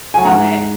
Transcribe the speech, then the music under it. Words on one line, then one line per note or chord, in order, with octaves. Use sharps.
All that.
G#5
G#2 F#5 A#5